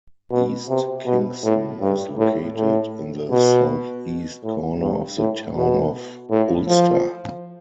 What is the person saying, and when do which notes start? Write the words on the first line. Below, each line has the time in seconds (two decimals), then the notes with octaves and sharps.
East Kingston is located in the southeast corner of the Town of Ulster.
0.31 B2
0.69 C3
1.06 B2
1.44 A2
1.81 G2
2.18 A2
2.56 A2
3.31 B2
4.44 A2
4.80 G2
5.18 A2
5.56 B2
6.31 A2
6.68 F3